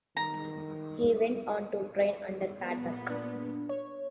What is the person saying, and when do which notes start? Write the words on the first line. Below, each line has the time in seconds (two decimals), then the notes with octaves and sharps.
He went on to train under Pat Buck.
0.17 D#3 A#5
2.58 A#2 B3
3.10 D4
3.69 C#5